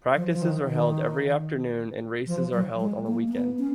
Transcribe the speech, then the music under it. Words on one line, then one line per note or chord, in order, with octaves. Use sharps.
Practices are held every afternoon and races are held on the weekend.
F3
F3
D#3
D#3
F3
F#3
G#3
A#3
A#3
B3
C#4